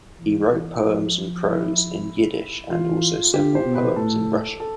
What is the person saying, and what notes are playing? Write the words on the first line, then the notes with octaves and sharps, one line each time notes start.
He wrote poems and prose in Yiddish and also several poems in Russian.
E3
E3
F3
E4
E3 F4
D3 G4
C5
B2
B4
A2 A4
A4